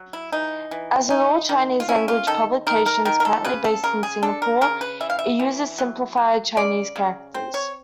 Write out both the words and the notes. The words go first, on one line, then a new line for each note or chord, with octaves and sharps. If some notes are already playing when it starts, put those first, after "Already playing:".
As with all Chinese-language publications currently based in Singapore, it uses simplified Chinese characters.
Already playing: F#3
E4
E3 D#4
E3
D#4
D#3
F4
C#4 E4
F4
D#3 A4
D#3 A#4
A#4
D#3 A#4
A#4
A4
C#3 B4
A4
C#3 A#4
G#4
D4 A4
A#4
C#3 A#4
B4
E3 E5
F5
E5
E3
F#3
F#3
C#3 D5
C#3
C4 C5
C#5